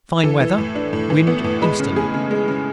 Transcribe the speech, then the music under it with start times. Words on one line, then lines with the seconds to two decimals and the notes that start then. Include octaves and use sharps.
Fine weather: wind easterly.
0.23 E3 A4
0.40 E3
0.58 A2
0.75 D4
0.93 A2
1.10 E3
1.27 B3
1.44 A2
1.62 G#3 B4
1.79 C#3
1.96 C#3 G#4
2.14 C#3
2.31 G#3
2.48 C#3